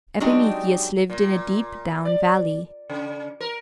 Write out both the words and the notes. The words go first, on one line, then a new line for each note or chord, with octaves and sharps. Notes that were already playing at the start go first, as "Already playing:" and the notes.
Epimetheus lived in a deep-down valley.
F#3 G#3 C4 D4 D#4 G4
A#2
D5
C#3
A#4